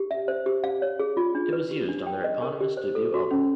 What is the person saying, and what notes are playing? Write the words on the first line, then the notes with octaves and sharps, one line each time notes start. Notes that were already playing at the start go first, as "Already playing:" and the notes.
It was used on their eponymous debut album.
Already playing: G4
E5
C5
G4
F5
C#5
G#4
F4
D4
B4
G4
D4
G5
D#5
A#4
G4
C5
A4
F#4
C#4